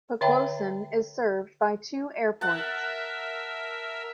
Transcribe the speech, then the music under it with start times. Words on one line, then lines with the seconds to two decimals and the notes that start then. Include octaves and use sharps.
Poquoson is served by two airports.
0.21 D3 C#5 E5 G5 A#5
2.41 A#4 E5 F#5 A5